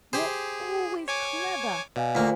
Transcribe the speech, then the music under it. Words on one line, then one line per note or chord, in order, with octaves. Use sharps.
You're always clevah.
G4 G#4 C5
C#5 G#5 D6
B2 D5 F5 G#5
D2 A#3 F4 C5